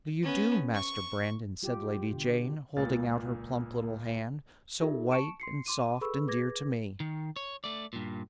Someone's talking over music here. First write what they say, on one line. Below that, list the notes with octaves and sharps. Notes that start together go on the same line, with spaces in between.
"How do you do, Master Brandon?" said Lady Jane, holding out her plump little hand, so white and soft, and dear to me.
B3 C#4
C#6
G3 F4 G4
B2 D3
C#2 A#2 A6
D#4 F4 G4 A4 A#4 E5
A5 C#6 C#7 D7 E7
C6 C7 C#7
C6 D6 D#7
G#4 A4 B4 B5 C#6 E6
G#4 B4 D6 G#6 A#6
D#3
C#5
A3 D5
G2 A#2